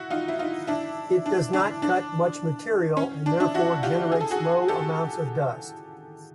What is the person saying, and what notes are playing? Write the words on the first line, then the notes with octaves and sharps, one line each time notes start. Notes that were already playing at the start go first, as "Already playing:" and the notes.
It does not cut much material and therefore generates low amounts of dust.
Already playing: E4 F#4
D#4 F4
E4
D#4 F4
D4 E4
D4
D4
D4
C#4
D4
D4 E4
E4 F#4
F4 G4
G#4
A4
F#4 G#4
G4 A4